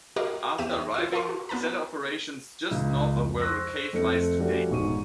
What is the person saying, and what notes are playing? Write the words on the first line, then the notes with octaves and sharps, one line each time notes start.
After arriving, he set up operations just north of where the cave lies today.
F#4 G4 A#4 D#5 F5
E2 G4 E5 D#7 E7
F4 E6
A#4 F5 A5 C6 C#6
F#4
B3 A#4 B4 A5 A#5
C#2
F2
C5 C6 C#6 E6 F#6 A#6
F2 A3 C4 C#7
F3 G3 A3 C#4 F#4 G4
E1 G#2 C#6 D#7